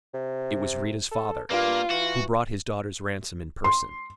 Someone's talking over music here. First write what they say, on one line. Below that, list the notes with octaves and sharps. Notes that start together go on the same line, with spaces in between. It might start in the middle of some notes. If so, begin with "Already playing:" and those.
It was Rita's father, who brought his daughter's ransom in person.
C3
A4
G2 A#3 F4
E3 F#4
C6